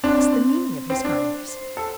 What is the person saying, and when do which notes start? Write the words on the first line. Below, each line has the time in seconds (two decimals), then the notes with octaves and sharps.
That's the meaning of his kindness.
0.04 C4 D4
0.18 C4
0.32 C4
0.90 C4 C5
1.05 D4
1.48 C5
1.77 A4